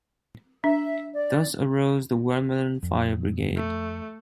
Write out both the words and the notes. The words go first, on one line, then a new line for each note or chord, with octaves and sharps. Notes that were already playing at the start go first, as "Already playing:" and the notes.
Thus arose the Wormeln fire brigade.
D4 E5
D5
F2
A3